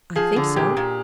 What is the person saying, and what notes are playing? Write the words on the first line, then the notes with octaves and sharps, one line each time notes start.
"I think so."
F3 G#4
D3
A#2 G4
A#2